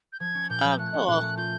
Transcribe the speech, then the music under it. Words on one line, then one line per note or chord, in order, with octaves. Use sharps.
Oh, cool.
G6
F3 G#6
C#4
A#2 G6
F3
G6
A3 F#6
C#4
A#2 F#6
A3
F4 G6